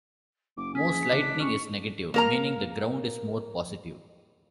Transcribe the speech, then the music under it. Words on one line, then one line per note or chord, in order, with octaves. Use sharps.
Most lightning is negative, meaning the ground is more positive.
F#1 D6
C#4 G#4 B6
A1 C#3 D4
A1 C#4 C#6
A#3 A#4 A#5